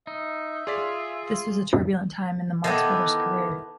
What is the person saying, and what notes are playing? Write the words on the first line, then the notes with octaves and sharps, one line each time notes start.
This was a turbulent time in the Marx Brothers' career.
D#4 E5
F4 G#4 D5 B6
D#3 E3 B3 A4 A5 D6